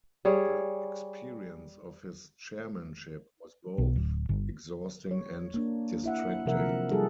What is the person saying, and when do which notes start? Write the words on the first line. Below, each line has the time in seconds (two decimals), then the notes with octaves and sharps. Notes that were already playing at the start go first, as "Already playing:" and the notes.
The experience of his chairmanship was both exhausting and distracting.
0.25 G3 G#4 C#5
3.78 B1
3.96 D1
4.29 G1
5.11 C#5
5.54 A#3 D4
6.04 E4 E5 F#5
6.46 C3 F3 F#3 A#4 E5 F#5
6.91 F3 G3 D#4 F4 G#4 A4